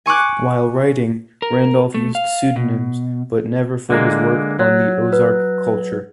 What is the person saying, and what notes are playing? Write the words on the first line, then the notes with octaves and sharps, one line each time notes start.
While writing, Randolph used pseudonyms, but never for his work on the Ozark culture.
G#5 C#6 D6 F#6
A#4
A3
F5
B2
D3 G#3 A#3
F#3 C#5
B4